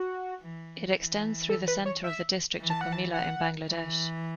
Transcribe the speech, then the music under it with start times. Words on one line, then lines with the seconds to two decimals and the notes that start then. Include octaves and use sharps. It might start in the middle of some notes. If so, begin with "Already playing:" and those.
It extends through the centre of the district of Comilla in Bangladesh.
Already playing: F#4
0.39 E3
0.95 E3
1.49 A4
1.68 B4
1.86 C#5
2.04 E5
2.59 E3
2.70 A5
2.81 F#5
2.93 A5
3.14 F#5
3.68 E3